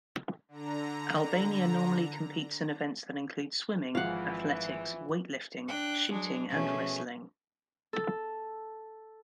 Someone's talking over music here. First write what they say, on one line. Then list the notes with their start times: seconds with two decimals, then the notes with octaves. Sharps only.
Albania normally competes in events that include swimming, athletics, weightlifting, shooting and wrestling.
0.48 D3 A#5
3.95 G#1 E3 F3 G#3 E4 F4 F5 F#5
5.66 D4 G5 F#6
6.11 F#3 G#3 D4
6.47 B2 F3 A3 C#4 G#4
7.93 A4